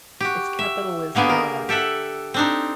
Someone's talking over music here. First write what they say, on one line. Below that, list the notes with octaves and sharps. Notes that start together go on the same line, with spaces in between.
Its capital is Arak.
F#4 G4
E5
D3 A#3 B3 G4 G#4
A#4
G4 A4 E5 F#5
C4 D4 D#4